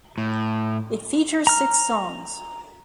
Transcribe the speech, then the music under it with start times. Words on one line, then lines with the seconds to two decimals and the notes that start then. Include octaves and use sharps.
It features six songs.
0.18 A2
1.47 A#5 F6